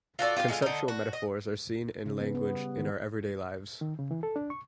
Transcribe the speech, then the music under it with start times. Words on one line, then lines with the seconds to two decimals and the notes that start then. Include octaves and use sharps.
Conceptual metaphors are seen in language in our everyday lives.
0.19 F4 F#4 A4 D5
0.36 F4 G4 D5 F5
0.48 D3 G#3 E4 F4
0.62 D3 D#4
0.88 F#4
1.13 D#5
2.06 C#3
2.21 B3
2.35 B3
2.53 G3
2.77 D#3
3.81 D#3
3.99 C#3
4.11 E3
4.23 A4
4.36 D4
4.50 C#6